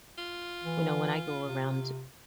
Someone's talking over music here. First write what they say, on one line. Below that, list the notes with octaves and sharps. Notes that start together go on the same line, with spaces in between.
you know, when I go around,
F4
E3
C3